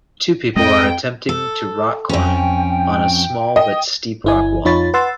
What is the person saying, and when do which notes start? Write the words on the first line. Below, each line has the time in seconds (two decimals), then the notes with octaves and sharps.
Two people are attempting to rock climb on a small but steep rock wall.
0.56 F2 G#3 C4 D#5 G5
1.29 A4
2.09 F2 C#4 G5
3.56 D#5
4.24 G1 E4 G#5
4.65 F2 D#4 F4 C#5 B5 A6
4.94 B4 F#5 C6 E6 A6